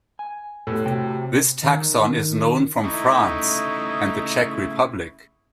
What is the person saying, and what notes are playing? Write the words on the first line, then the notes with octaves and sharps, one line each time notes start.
This taxon is known from France and the Czech Republic.
G#5
A2 B3 G4 A4
C3 F#4 G5
D#3
C#3 A3 D#4 E4 C#6